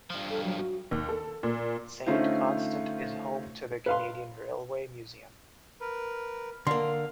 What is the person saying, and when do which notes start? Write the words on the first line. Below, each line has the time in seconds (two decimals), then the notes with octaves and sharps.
Saint-Constant is home to the Canadian Railway Museum.
0.10 G2 F3
0.30 A4
0.44 F#3
0.57 F#4
0.91 D#2
1.09 A4
1.43 A#2
2.06 D3 A3 C#4 D#4 F4 C5
3.86 B4 F5 C6
5.81 A#4 B4
6.67 D3 A#3 F5 C6